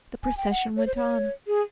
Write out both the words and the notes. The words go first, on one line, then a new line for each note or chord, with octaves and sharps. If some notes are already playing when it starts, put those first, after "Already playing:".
The procession went on.
G#5
G5
F#5
C#5
C5
C#5
G#4